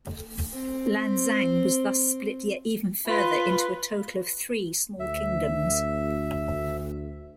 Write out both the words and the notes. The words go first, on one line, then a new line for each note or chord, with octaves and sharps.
Lanxang was thus split yet even further into a total of three small kingdoms.
C4 C5
F4 B4
D2 E5